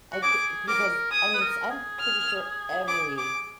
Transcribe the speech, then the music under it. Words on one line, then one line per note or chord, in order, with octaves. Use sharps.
I c because, t I mean, s I'm pretty sure every
F#4
G#4 D6
A#4 D6
G#4 D#6
B4
A#4
G#4
F6
D6
D6